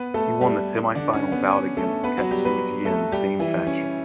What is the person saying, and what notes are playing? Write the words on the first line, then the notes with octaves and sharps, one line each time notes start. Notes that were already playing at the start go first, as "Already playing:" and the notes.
He won the semifinal bout against Katsuji in same fashion.
Already playing: B3 B4
A3 A4
G3 G4
D3 D4
C#4
B3
C#4
A3 A4
B3 B4
F#3 F#4
G3 G4
B3 B4
A3 A4
G3 G4
E3 E4
C#4